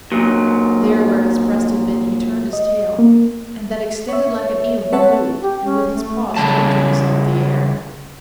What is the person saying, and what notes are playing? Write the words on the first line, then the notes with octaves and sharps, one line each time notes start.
There where his breast had been he turned his tail, And that extended like an eel he moved, And with his paws drew to himself the air.
A#2 F#3
D#5
A#3
C#5 E5
C4 B4 C#5 E5 F#5 A5
G4
C#4
A3
C#3 G3 A5